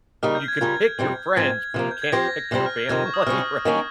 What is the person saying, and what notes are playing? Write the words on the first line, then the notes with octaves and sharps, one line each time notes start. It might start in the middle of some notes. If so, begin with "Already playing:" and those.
you can pick your friends, but you can't pick your family, right?
C#3 G3 A#3 D#4 G4 F6
G6
G#6
C#3 G3 C#4 F4 A#4
F2 C3 G3 C4
G#2 F3 C4 G#6
C3 F3 A#3
G6
G#6
F3 C4 G4 C5 A#6
F2 C3 G3 C4
F6
G6
F2 C3 D#3 G#6
C#6
D#6
C3 G3 C#4 F6
D#3 A#3 C#4